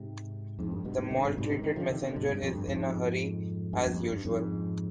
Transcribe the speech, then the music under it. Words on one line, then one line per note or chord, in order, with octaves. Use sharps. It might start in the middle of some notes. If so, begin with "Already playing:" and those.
The maltreated messenger is in a hurry as usual.
Already playing: G#2 C3
F2 G#2
G2
G2 B2
G#2 C3
B2 D3
G2 B2
G#2 C3
C3 D#3
C3 D#3
D3 F3
C3 D#3
B2 D3
G2 B2
G2
F2
G2
F2 G#2
G2
F2
G2
G2
F2 G#2